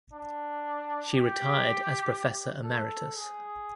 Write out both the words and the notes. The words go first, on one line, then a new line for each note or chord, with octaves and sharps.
She retired as professor emeritus.
D4
G4
A4
G#4